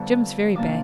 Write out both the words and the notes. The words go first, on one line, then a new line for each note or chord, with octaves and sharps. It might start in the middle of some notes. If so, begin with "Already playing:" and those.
'Jim's very bad.
Already playing: F2 D3 G3 B3 C#6
C3 F3 A#3 D4 D6